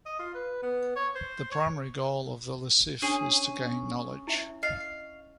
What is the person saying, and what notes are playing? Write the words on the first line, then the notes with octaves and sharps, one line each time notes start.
The primary goal of the Ly-Cilph is to gain knowledge.
D#5
F4
B4
B3
C#5
C5
C#5
C#4 D4 G#4
E4 E5
D#5 F5